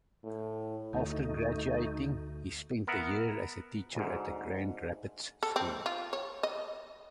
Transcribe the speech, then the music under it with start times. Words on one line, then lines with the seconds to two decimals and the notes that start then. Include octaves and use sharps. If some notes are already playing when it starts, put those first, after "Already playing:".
After graduating, he spent a year as a teacher at a Grand Rapids school.
0.24 A2
0.93 D2 A3 D#4
2.87 B3 A#4 E5 F#5
3.95 D2 G#2
5.43 A4
5.56 C4
5.86 F4
6.13 C#5
6.43 D#5